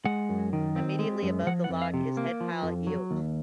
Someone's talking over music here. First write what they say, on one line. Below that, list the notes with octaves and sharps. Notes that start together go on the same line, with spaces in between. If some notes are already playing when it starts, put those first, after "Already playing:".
Immediately above the lock is Headpile Eyot.
G#3 F#5
F#2
D#3
C4
G#3
F#2
F3 F#5
F#5
F2
F5
C3
A#3
F3
F2
F#3
D#2